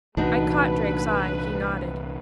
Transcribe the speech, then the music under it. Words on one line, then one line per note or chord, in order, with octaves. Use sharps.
I caught Drake's eye; he nodded.
C2 A#2 E3 A3 D4 D#4 F#4 B4